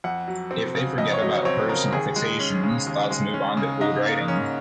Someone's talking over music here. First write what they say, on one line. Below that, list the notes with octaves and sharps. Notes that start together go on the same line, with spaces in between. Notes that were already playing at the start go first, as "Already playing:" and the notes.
If they forget about personal fixations, thoughts move on to fluid writing.
F2 F#5
F#3
C4
C#3
F2 D#5
C#5
F#3 D#5
C4 C#5
C#3 A#4
D#2 G#4
G#3
C#4
C#3
D#2
G#3
C#4
C#3
G#2 D#5
A#3
C#4